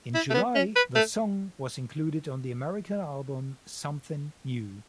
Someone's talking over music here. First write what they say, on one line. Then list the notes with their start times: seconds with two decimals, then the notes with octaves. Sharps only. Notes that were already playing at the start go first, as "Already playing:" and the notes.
In July, the song was included on the American album "Something New".
0.15 E4
0.30 A3
0.34 B3
0.55 C#4
0.76 B4
0.96 A3